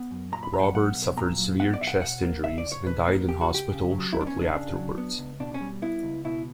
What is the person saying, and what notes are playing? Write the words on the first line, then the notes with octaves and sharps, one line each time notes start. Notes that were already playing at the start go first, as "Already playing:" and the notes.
Robert suffered severe chest injuries and died in hospital shortly afterwards.
Already playing: B3
F#2
A#2 A#5
B5
F#3 A#5
G5
F#5
B3 F#5
B1
A#2 A#5
F#3
B3 F#5
D5
B1 E5
F#5
B2 F#5
A#3
C#2 E5
D5
C#2
C#5
B2 B4
A#3
C#2 G4
F#4
C#2 G4
C#3
F#3
B3 E4
D4
C#4
C#2
D4
C#3
F#3
B3
C#2
B2 D4
C#4
G3
B3 E4
C#2
B2 E4